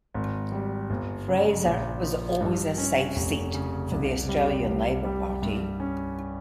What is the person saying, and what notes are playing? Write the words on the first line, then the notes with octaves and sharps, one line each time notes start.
Fraser was always a safe seat for the Australian Labor Party.
G#1
G3
G1
C#3
A#1
F3
G2
C#4
F1
C#3
C2
G3
C2
G3
G2
C#4